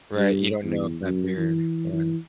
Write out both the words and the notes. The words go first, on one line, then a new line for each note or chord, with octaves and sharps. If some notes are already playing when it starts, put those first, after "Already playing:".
Right. You don't know if that their yeah.
G2
E2
F#2
E3
E3